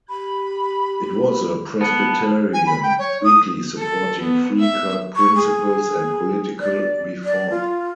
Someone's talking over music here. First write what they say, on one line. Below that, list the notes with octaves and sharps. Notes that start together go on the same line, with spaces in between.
It was a Presbyterian weekly supporting Free Kirk principles and political reform.
G4 B5
B3 A5
G#5
B5
G5
C#5
D#6
A4
B3
E5
C#6
G#4
D5
D5
F4